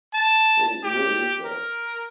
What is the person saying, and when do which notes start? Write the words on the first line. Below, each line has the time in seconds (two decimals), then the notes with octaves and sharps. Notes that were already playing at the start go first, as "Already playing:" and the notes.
It it really is though,
0.14 A5
0.84 G4
1.45 A#4